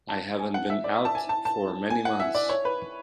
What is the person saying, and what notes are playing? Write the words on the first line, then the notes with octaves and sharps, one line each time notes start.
I haven't been out for many months.
A5
G#5
F#5
E5
D5
A5
G#5
A5
A5
G#5
F#5
E5
D5
C#5
B4